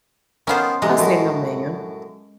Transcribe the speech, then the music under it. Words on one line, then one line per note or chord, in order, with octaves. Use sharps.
I said, "No, ma'am."
D#3 B3 C#4 F4 C5
A1 C3 G#3 A#5
F#2 A2